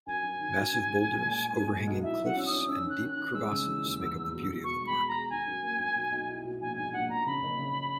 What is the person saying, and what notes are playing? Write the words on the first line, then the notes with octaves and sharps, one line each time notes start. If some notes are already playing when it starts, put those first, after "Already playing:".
Massive boulders, overhanging cliffs and deep crevasses make up the beauty of the park.
F#2 G#5
F#2
D#3
F#2
D#4
G#3
G#3
A#2
A#2
G#3
B1
B1
E4 E5
F#3
F#5
C#4 E6
D#6
C#4
C#4 E6
D#3
F#6
D#3
F#6
D#3
G#3 E6
C#3
E3
D#2
E2
E2
B2
E2
B2 C#6
G#3
B5
G#4
A#5
G#4
D#3 G#5
F#2
A#3
F#2
B1
B1
E4
B2
A#1 G#5
G#2 G#5
A#1 F#5
A#1 A#5
C#3 B5
F#1
C#3